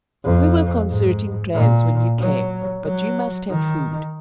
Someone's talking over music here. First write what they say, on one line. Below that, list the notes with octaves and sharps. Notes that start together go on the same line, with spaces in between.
"We were concerting plans when you came; but you must have food."
F2
G#2
A#2
F#3
F#3
D#3